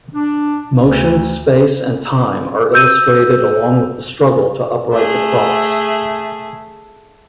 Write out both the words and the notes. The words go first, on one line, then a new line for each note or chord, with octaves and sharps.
Motion, space and time are illustrated along with the struggle to upright the cross.
D4
D2
E6 G6 D#7
A3 G#4